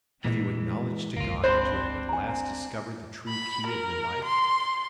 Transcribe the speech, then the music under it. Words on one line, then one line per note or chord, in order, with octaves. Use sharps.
Have you acknowledged to God that you have at last discovered the true key of your life?
A#2 E3 G#3 A#3
G1 C#2 A#3 F4
C4 D4 C5 B5 C6 F#6
G#5 A#5
B5
A#4
C6